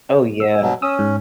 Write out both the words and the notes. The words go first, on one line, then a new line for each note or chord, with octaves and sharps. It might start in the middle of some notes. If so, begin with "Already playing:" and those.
Oh, yeah.
E6
B2 F#3
C#4 D#6 E6
G#2